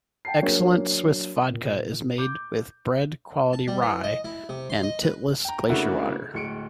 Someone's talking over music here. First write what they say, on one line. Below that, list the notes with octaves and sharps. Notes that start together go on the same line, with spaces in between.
Xellent Swiss vodka is made with bread quality rye and Titlis Glacier Water.
G5 A5 C7
F#3 A#3 D4 G#4 C#5
A#2
D6 G6
A5
G3
E3
D#5
E4
C3
C6
D#5
B4
G5 A#5
C#3 A3 A#3 D4 E4 F#4
D1 G#3 C#7 D7